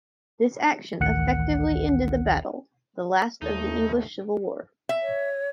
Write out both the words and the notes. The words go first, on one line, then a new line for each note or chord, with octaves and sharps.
This action effectively ended the battle, the last of the English Civil War.
A1 D2 D#3 F#5 F#6 C#7
D#2 A3 D#4
E5
C#5